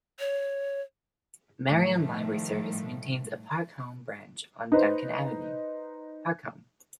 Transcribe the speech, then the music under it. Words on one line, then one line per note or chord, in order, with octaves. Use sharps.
Marion Library Service maintains a Park Holme branch on Duncan Avenue, Park Holme.
C#5
A2 D#3 F3 G3 A3
D#4 B4 C5